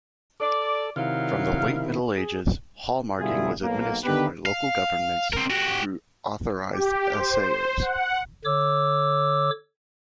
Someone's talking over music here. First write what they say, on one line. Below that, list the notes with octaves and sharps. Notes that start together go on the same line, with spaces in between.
From the Late Middle Ages, hallmarking was administered by local governments through authorized assayers.
A4 D5
C3 D#3 F#3 E4 F5
G#4
B2 D3 G3 E4 F4 G#4
B1 A#3
D3 D#3 B3 D4 G4 B4
F5
C4 A#4
F#4 G4
G4
C5
F#5
D3 C#5 D6 E6